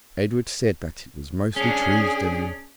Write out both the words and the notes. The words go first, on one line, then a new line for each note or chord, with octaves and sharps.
Edred said that it was mostly True's doing.
C#4 D4 G#4